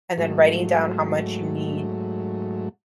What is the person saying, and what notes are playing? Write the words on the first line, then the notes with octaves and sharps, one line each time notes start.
and then writing down how much you need
G#2 F#3 A3